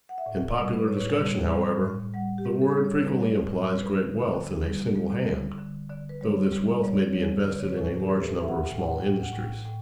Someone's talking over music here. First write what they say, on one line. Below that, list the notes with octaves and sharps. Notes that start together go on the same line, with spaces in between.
In popular discussion, however, the word frequently implies great wealth in a single hand, though this wealth may be invested in a large number of small industries.
F#5
E5
A2 D5
D5
G3
B4
A2 C#5
B4
G3 C#5
G3
A2
G3 F#5
G4
G3
A4
G3
C#5
B4
G3 C#5
D5
A2
C#5
G3
B4
D3
D3
G3
G3
D3
D3
D3 D5
B4
G3 C#5
D5
G3
G3 C#5
D5
C#5
G3
D3 D5
C#5
B4
A2 A4
G4
E3
B4
A4
E3 E5
F#5
A2 G5
F#5
G5
A2 G5
F#5
A2 G5
A2 G5